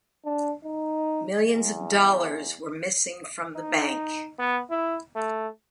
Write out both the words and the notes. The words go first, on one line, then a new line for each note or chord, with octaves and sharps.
Millions of dollars were missing from the bank.
D4
D#4
E2
D#4
B3
E4
A3